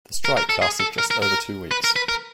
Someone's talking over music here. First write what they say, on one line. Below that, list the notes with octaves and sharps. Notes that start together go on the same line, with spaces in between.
The strike lasted just over two weeks.
A#4
A#4
A4
G#4
A4
A#4
A#4
A#4
B4
A#4
B4
A#4